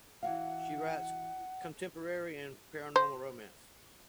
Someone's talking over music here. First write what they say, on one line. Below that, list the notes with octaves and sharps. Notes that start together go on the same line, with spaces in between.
She writes contemporary and paranormal romance.
E3 F#4 F5 F#5
C5